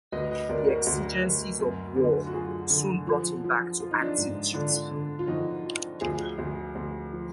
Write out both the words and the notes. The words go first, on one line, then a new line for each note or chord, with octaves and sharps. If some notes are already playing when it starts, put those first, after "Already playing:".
The exigencies of war soon brought him back to active duty.
D2 B4 D#5
B4 D#5
D2 A#4 D5
F#4 A#4
D2
D2
F#2
D3
F#4
F#2 F4 G#4
D3
F3
F3
F3 F4
D#4
D4 F4
G#2
D3 D4 F4
D3
F4
F2 D#4 F#4
F3
D2 F4 G#4
D2
D2
F3